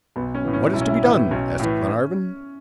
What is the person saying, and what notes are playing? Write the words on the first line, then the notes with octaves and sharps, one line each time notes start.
"What is to be done?" asked Glenarvan.
B1 B3
C#4
A2 E3
C#4
B1 E4
C#4
E4
A2 E3
B1 C#4
A2 E3